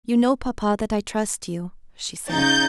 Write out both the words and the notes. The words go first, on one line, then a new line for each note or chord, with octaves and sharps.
"You know, papa, that I trust you," she said.
C#3 D#4 G6 A6